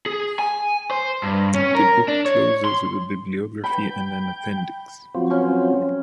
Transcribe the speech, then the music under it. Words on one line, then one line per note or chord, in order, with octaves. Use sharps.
The book closes with a bibliography and an appendix.
G#4
G#5
C5
G2
C#4
A#4
D4
C#5
C6
G5 B5
F3 F#3 C4
C#4